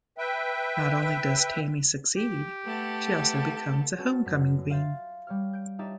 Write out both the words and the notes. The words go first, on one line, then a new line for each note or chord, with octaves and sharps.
Not only does Tami succeed, she also becomes the homecoming queen.
B4 E5 G5
G4
A3 B3 A4
C#4 F#4 A4 B4 D5
F#2 B6
E5 F5 C6 G6 A6
G3 C#5 F6
G6 D7
D4 D#4 G4 C#5 D5 E5